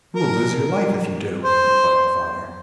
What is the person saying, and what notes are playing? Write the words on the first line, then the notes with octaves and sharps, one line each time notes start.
'You will lose your life if you do,' replied the father.
A#4
C5